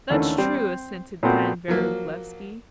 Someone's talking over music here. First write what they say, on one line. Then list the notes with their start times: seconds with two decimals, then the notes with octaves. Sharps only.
"That's true," assented Pan Vrublevsky.
0.10 D#2 D3 E3 A3 C#4
0.38 G3 C4
0.55 C4
1.23 A#2 A3 B3 C4 F#4
1.68 F3 F#3 A#3